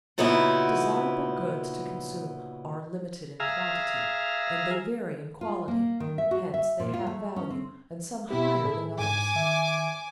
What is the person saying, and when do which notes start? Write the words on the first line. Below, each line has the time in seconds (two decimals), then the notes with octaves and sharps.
Desirable goods to consume are limited in quantity, and they vary in quality; hence they have value and some higher than others.
0.18 A#2 C#3 B3 D#4 E4 F#4
3.40 G#4 E5 F5 A#5
5.41 F4
5.68 A#3
6.00 D#3
6.18 E5
6.31 F#4
6.54 E5
6.80 A#2
6.94 F4
7.07 A3
7.36 C#4
7.50 C4
8.31 B2 B3 E4 G4
8.65 A2 G#4 A4
9.00 G#2 G#5 D6
9.35 D#3 E5